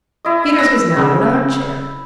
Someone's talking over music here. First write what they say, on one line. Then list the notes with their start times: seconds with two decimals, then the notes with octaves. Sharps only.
Peters was now in an arm-chair.
0.25 E4 D#5
0.59 E6 A#6
0.96 C#3 E6